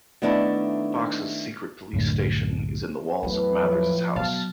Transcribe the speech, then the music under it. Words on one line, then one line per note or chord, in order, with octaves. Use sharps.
Fox's secret police station is in the walls of Mathers's house.
D#3 A3 B3 D4 E4 A4
C2 F#2 A2 D3
E2 A2 F#3 B4
F3
B2 F#3 F5 A5